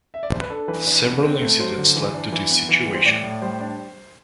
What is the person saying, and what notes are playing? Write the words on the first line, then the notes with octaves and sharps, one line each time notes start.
Several incidents led to this situation.
E5
D5
C5
B4
D4 A4
E3 B4
D4 B4
B3
C4
A3
F#3 C5
D3
E3
D4
E3
B3
E3
G3
C5
A2 D5
A2
G3 C5
D4